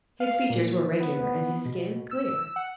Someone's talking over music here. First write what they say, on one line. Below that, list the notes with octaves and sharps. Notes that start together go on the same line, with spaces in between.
His features were regular and his skin clear.
F5
A#2
B3
B2
E6
F#5